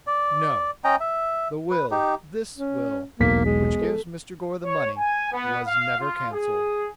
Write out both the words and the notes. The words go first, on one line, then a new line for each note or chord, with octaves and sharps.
"No! the will--this will--which gives Mr. Gore the money was never cancelled."
D5
C#4 D#5 G5 A#5
E5
B4
D#4 G4
C#4
E1 B1 A#3 B6
G#3
A4
C#5
G#5
B3
F5
F4
G#4